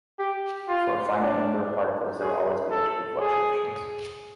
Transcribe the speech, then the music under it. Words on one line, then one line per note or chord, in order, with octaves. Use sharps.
For a finite number of particles, there will always be entropy fluctuations.
G4
F4
D4
G#4
A4
G#4